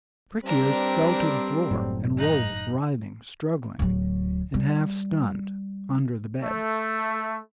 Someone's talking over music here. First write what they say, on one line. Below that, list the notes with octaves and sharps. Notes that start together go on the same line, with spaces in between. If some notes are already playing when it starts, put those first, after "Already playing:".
Prick-ears fell to the floor, and rolled, writhing, struggling and half-stunned, under the bed.
G3 C4 D4 A#4 B4
F#1 A2 F#3
D#4 F#6 A#6
D1 F#3
G3
A3